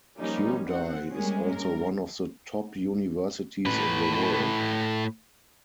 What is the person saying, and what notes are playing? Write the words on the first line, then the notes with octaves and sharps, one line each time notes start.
Kyodai is also one of the top universities in the world.
F3 G3 A#3 C#4 D#4
C4 F#5
G3 G#3 A#3 C#4 G#4
G2 A#4
A2 B4